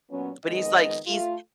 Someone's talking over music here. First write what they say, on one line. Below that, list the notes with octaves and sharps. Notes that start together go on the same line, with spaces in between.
But he's like, he's
A#2 F#3 B3 C#4
F2 D#3 G#3 B3 D#5
A3 F4